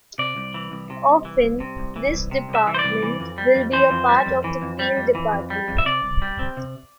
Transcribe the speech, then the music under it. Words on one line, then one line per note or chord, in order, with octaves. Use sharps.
Often, this department will be a part of the field department.
C3 D5
C2
E3
C2
C3
C2
E3
C2
C3
C2
E3
C2
C3
C2
E5
E3
C5
D5
C2
E3
F2
G3
F2
E3 C5
F2
G3
F2
E3
F2
G3
F2
E3
F2
G3
F2
E5
C3 D5
C2
G3
C4
C3